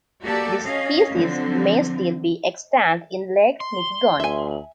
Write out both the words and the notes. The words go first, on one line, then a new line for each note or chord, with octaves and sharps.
This species may still be extant in Lake Nipigon.
A#3 F#4 G4 A4 D5
C#4 D#5 F5
D3 F3 F#3 C4
C6
D2 E5 G#5